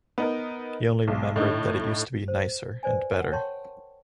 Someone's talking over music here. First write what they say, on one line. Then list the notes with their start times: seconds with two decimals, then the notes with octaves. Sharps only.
He only remembered that it used to be nicer and better.
0.18 B3 D#4 A#4
1.08 B1
1.36 A2 D3 D#4
2.28 C5
2.83 B4 C5 D5 G#5
3.12 A#4 F#5
3.32 A#4 C#5 G5 A5 C6 C#6